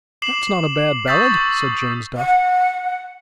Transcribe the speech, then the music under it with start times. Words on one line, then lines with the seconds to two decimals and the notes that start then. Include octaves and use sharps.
"That's not a bad ballad," said James Duff.
0.22 D6 C7 E7 F#7
1.07 C#6 D#6 E6 G6 A6 B6
2.16 F#5